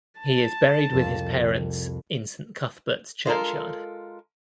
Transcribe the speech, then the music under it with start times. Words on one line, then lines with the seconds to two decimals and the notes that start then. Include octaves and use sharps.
He is buried with his parents in St Cuthberts Churchyard.
0.19 A5
0.92 C2 F2 F4
3.25 G#3 F4 A4 A#4